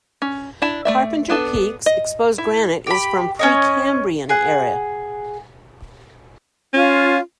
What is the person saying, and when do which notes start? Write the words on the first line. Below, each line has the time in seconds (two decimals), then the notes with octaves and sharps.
Carpenter Peak's exposed granite is from Precambrian era.
0.22 C#4
0.62 D4 E4 A5
0.85 A3 D5 E5
1.30 B3 D4 A4
1.86 D#5
2.38 E4
2.87 G4 B5
3.39 C#4 C#5 D#5
4.29 G#4 F#5
6.74 C#4 F4